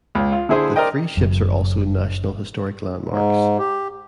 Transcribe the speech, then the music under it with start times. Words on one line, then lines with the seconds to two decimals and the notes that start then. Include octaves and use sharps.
The three ships are also National Historic Landmarks.
0.15 C#2
0.32 F4
0.49 D3 E4 G#4 C5 D#6
0.76 A#4 C5 D5 D#5 G5
1.17 F#1 F#2
3.09 G#2
3.59 G4